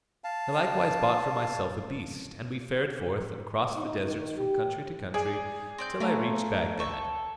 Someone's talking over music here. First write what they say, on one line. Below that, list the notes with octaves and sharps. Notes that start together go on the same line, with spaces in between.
I likewise bought for myself a beast and we fared forth and crossed the deserts from country to country till I reached Baghdad.
F5 A5
D#4
D#3
G4
G#4 D5
C4 D5 G6
A3 C4 C#4 F5 A5 A#5
A4 C#6